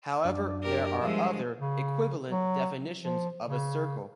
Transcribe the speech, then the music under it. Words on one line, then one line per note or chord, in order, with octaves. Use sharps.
However, there are other, equivalent definitions of a circle.
F#2 D4
G4 A#4
G2 F3 G#3 E5
C#3
F#3
F3
C#3